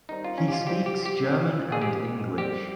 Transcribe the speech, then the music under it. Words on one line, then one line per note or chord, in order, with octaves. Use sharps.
He speaks German and English.
D#3 G3 C4 D#4
F4
C#4
G4
F4
C3 G3 C4 G4
G4
G4
A#2 F3 C4
G#4
D#3 G#3 C4 G4
D#3 G3 C4 G4